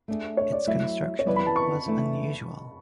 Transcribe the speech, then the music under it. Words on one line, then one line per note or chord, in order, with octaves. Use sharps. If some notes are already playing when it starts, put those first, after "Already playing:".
Its construction was unusual.
A3 D4 G#4
C#5
D5
F#3 A3 E4 E5
C#5
C#3 E3 B3 E4 B4 D5
B5
A5
C#6
E3 A3 D4